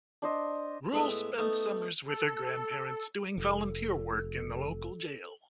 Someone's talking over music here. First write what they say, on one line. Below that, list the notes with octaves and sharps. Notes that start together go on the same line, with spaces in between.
Rule spent summers with her grandparents doing volunteer work in the local jail.
D4 C5 D#5
A2 G#3 B3 E5 D#6
A3 B3 D#4 A4
A4
F1 A4